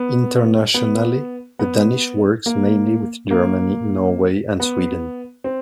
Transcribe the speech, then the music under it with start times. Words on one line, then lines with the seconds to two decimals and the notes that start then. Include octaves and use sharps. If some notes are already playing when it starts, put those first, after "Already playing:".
Internationally the Danish works mainly with Germany, Norway and Sweden.
Already playing: B3
0.74 B3
1.59 B3
2.46 A#3
3.31 A#3
4.60 B3
5.44 C4